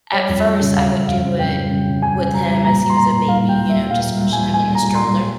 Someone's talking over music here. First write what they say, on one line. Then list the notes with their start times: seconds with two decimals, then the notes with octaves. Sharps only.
at first, I would do it w with him as he was a baby, you know, just pushing him in the stroller.
0.13 G3 C#5
0.29 F2
0.44 G3 E5
0.60 C#3
0.76 F2 F5
0.92 C#3
1.07 F2 F5
1.23 C#3
1.39 F2 G5
1.55 G3
1.70 C#3
1.87 C#3
2.02 C#3 G#5
2.18 C#3
2.33 G3 A#5
2.49 G3
2.64 A#2 A#5
2.81 G3
2.89 C6
2.97 A#2 A#5
3.11 A#2
3.28 G3 F5
3.43 A#2
3.49 G5
3.59 G3
3.69 G3 E5
3.90 A#2 F5
4.06 G3
4.22 G3
4.32 A#2 G#5
4.54 A#2 G#5
4.70 G3
4.75 A#5
4.84 A#2
4.95 C6
5.01 G3
5.16 G3